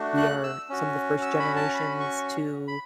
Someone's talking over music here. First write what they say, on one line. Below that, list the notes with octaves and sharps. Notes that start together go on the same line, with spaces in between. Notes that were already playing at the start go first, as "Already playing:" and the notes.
we are some of the first generations to
Already playing: A3 D4 F#4
F#6
E6
C#4 F#4
E6
B5
A5
B5
C#6
B5